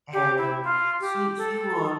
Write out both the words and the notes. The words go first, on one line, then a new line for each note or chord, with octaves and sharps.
and she she will
G4
E4
F4
G4
A4